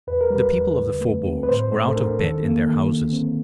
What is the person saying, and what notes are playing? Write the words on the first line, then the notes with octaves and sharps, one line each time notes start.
The people of the faubourgs were out of bed in their houses.
E2 B4
A#4
G3
B4
E2
D3
A3
C4
B4
A2 C5
A3 C5
A4
D4 A#4
D#3 A4
A#3
D#3
D3
C4